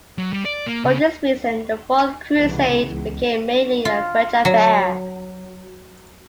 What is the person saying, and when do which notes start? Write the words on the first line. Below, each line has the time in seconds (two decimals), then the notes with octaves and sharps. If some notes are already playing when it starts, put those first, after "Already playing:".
For this reason, the Fourth Crusade became mainly a French affair.
0.18 F#3
0.33 G3
0.45 D5
0.66 A#3
0.84 C#3
2.36 C2 A2 C#3 E3 B3
2.90 C#2
3.85 F4
4.45 F#3